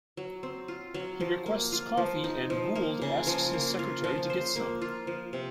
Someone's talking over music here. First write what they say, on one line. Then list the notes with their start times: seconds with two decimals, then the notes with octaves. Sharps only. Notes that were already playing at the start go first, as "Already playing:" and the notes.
He requests coffee and Gould asks his secretary to get some.
0.17 F#3
0.43 C4
0.68 F4
0.94 F#3
1.20 F3
1.46 A#3
1.72 F4
1.97 F3
2.24 D#4
2.50 F3
2.76 A#3
3.02 C#3
3.27 F3
3.53 A#3
3.79 F4
4.04 F3
4.30 C5
4.56 A#3
4.81 F4
5.07 F3
5.33 C3